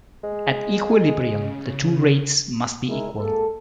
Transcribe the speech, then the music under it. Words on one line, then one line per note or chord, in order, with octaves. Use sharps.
At equilibrium, the two rates must be equal.
G#3
C#3
G#3 D#4 E4 A#4
G#3 A#3 A4